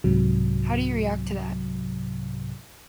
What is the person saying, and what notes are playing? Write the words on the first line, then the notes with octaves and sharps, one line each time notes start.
How do you react to that?
C2 G#2 C3 F#3